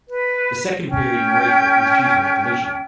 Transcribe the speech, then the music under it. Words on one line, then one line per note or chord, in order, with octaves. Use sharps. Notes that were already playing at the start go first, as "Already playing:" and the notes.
The second period in refit was due to a collision.
B4
C#4 G5